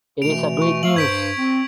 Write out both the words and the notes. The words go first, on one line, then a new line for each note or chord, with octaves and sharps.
It is a great news.
B2 E3 A3 D7 F7
C#6
A3 E5 F5 F#7
G2 C5 G#6 B6 D7
C4